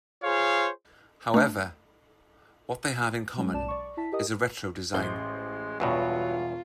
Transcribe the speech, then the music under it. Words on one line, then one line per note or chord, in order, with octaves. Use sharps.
However, what they have in common is a retro design.
F4 G#4 C5 C#5 F5
A3 D4
F#3 G#3 C#4
B1 D5 A5 E7
D5 C#6
E4 A5 B6
G4 A#4 D#5 D#6
A1 G#3 C5 G7
E1 E2 G2 B2 F#3 F4 C#5